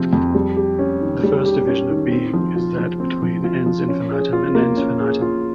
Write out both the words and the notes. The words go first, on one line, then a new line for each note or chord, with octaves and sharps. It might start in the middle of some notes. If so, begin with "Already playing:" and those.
The first division of being is that between "ens infinitum" and "ens finitum".
Already playing: C3 F3 C4
F2
G3
G4
C#4
D#3
G3
G4
C#4
D#3
C4
F3
F4
F3
C4
F3
F4
F3
C#4
G#4
F4
A#3
C#4
G#4
F4